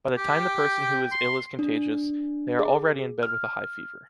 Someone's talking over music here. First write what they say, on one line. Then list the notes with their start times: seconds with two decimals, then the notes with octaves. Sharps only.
By the time the person who is ill is contagious, they are already in bed with a high fever.
0.18 G4 G5
1.12 C6
1.59 D4
2.59 G#4
3.23 F6